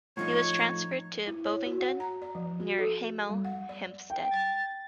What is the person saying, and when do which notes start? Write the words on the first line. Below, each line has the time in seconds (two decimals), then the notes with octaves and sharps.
He was transferred to Bovingdon near Hemel Hempstead.
0.17 A2 F3 D#4 C#5
1.27 E4
1.45 C#5
1.66 F#4
1.81 F#5
2.00 A#5
2.22 D5
2.35 F3
2.60 F#4
2.78 A4
3.29 G3
3.45 F#5
3.69 D5
4.10 G5
4.31 A6